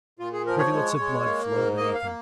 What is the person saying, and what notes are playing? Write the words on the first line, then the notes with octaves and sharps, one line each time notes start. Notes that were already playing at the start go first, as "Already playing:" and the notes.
Rivulets of blood flowed beneath him.
A#2 F4
G#4
F3 A#4
C#5
G#3
G#3
A#3
G#2
A#3 D#5
F5
A#3